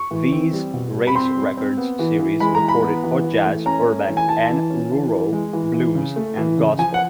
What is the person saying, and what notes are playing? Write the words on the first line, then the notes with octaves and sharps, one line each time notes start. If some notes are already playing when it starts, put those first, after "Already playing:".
These race records series recorded hot jazz, urban and rural blues, and gospel.
Already playing: C#6
E3
C4
G3
B2
G3
B5
C4 C6
G3
C4
B3
E3
E3
G#3 B5
A#5
E3
B5
B3
E3
E3
A3
C#4 A#5
A3
E3
G#5
E3 A5
E3
C#4
E3
E3
G#3
E3
E3
C#3
A3
E3
C#3
F3 G#5
F#5